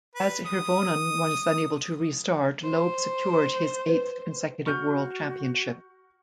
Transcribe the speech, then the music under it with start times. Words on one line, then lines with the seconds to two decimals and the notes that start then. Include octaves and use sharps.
As Hirvonen was unable to restart, Loeb secured his eighth consecutive world championship.
0.15 B4
0.46 D#6
2.64 C5
3.89 B4
4.66 F#4 C#6 F6 G6